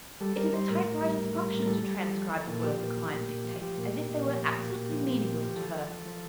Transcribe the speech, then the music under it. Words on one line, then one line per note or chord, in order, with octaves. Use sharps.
It is a typewriter's function to transcribe the words a client dictates as if they were absolutely meaningless to her.'
G3 A4
G3 A#4
G3 C5
A2 A#4
A2
G3
A2
G3
A2
G3 A4
G3
G3
F3
F3
A#2
F3 G4
A#2
F3
A#2
A#2
F3
F3 G4
A#2
A#2
A#2
F3
A#2
A#2
A#2
F3
A#2
F3
F3
F3 A4
F3
F3
F3